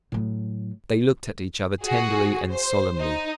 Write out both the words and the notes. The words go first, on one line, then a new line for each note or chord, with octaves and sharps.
They looked at each other tenderly and solemnly.
A2 F#3
F#4 G#4
C5
D#4